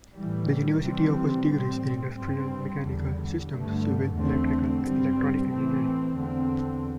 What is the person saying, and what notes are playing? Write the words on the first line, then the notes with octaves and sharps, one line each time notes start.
The university offers degrees in industrial, mechanical, systems, civil, electrical and electronic engineering.
A2 E3 G3
C3 E3 G3 C4
A2 G3 C4
G2 G3 C4
E2 D3 G3
G2 D3 A3
E2 D3 A3 C4
G2 G3 C4
A2 E3 A3 C4
E2 D3 C4